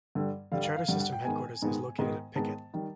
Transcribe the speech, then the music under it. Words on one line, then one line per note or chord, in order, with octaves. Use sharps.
The charter system headquarters is located at Pickett.
G2 D3 G3
G2 D3 G3 F5
F5
F5
G2 D3 G3 F#5
F#5
G5
G#2 D#3 G#3 B3 G#5
G#2 D#3 G#3 B3
G#2 D#3 G#3 B3
G#2 D#3 G#3 B3 A5
D#3 G3